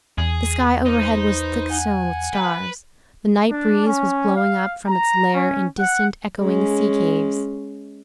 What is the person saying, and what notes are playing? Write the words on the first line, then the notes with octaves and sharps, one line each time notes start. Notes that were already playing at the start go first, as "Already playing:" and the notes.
The sky overhead was thick-sown with stars; the night breeze was blowing up from its lair in distant, echoing sea caves.
E2 G#4
D#4 B4 C5
F#5 G#5
B4
D4
C#4
F5
A#5
C#4
F#5
G#3 C#4